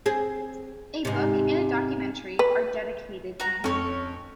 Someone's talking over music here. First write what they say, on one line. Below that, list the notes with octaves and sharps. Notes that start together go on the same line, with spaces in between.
A book and a documentary are dedicated to him.
C4 G#4
G#2 C3
B4
F#4 A#5
F2 C#4 A4 C#5